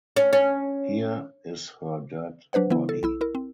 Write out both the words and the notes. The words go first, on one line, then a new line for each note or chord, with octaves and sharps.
Here is her dead body.
C#4
C#4
F#3 D4 B4 C5 F#5
E3 B3 E4
A4
B1 E4 E6
E4 A#4
C4